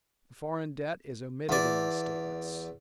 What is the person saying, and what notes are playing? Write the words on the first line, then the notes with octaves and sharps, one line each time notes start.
The foreign debt is omitted in these statements.
E2 D5